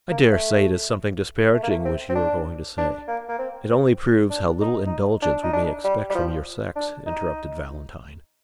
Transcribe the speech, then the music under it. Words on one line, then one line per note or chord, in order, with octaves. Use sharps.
"I dare say it is something disparaging which you are going to say. It only proves how little indulgence we may expect from your sex," interrupted Valentine.
A#3
A3
A3
A#3
A3
C4
C4
D4
D4
A#3
A#3
C4
C4
D4
D#4
D#4
D4
D#4
D4
G3
G3
F3
D4
D#4